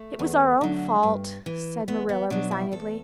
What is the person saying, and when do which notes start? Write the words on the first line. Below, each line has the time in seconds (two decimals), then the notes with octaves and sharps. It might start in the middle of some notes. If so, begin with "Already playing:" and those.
"It was our own fault," said Marilla resignedly.
Already playing: A3
0.19 E2
0.61 D3 F#3
1.03 G2
1.46 E3
1.88 E2 B3
2.09 B3
2.30 B2 F#3 D4
2.51 E4
2.72 E2 A4